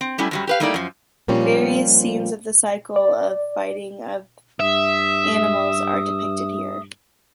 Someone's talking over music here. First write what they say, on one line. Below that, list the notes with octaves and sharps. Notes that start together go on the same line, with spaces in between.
Various scenes of the cycle of fighting of animals are depicted here.
C4
F#3 G3 A3 C#4 E4
F#2 F#3 G3
G4 B4 F5
G3 A3 A#3 D#4 E4 D5
F#2 F3
A#2 F3 G3 C4 C#4
D5
G2 E5 D#6